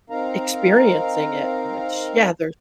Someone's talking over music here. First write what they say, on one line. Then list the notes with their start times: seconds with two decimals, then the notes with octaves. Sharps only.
experiencing it, and it's yeah, there's
0.10 C4 D#4 A#4 F5 A#5